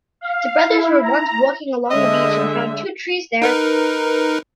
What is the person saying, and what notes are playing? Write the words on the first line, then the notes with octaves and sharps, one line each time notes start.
The brothers were once walking along a beach and found two trees there.
F5
E4
A#5
D3 G#3 D#5 E5
D#4 A#4 B4